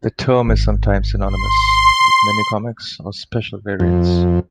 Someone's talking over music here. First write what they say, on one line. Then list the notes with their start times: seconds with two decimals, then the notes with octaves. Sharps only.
The term is sometimes synonymous with minicomics or special variants.
0.48 G#1
1.26 C6
3.80 F2